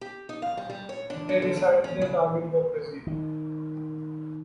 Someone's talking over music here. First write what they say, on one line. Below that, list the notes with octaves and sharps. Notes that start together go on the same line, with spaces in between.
They decided their target was Brazil.
G4
D#4
F5
G3
G3
C#5
D4
D4
D3
G#3
C#4
C#3
D#3